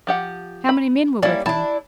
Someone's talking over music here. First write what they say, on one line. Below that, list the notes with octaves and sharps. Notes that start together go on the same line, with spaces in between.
'How many men were with him?'
F3 G4 F#5
B5
G3 A#3 C#4 E4 D5
D4 E4 A5